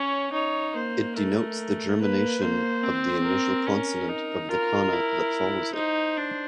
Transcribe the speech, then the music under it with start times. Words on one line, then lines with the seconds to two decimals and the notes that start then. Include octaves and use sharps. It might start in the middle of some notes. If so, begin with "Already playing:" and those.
It denotes the gemination of the initial consonant of the kana that follows it.
Already playing: C#4 C#5
0.32 D#4 C#5
0.74 A#3 C5
1.17 A3 A#4
1.99 A#3 B4
2.41 A#3 C5
2.83 C4
3.25 A#4
3.66 C#4
4.08 D#4
4.49 F4 A#4
4.92 E4
5.75 D#4 C5
6.17 D4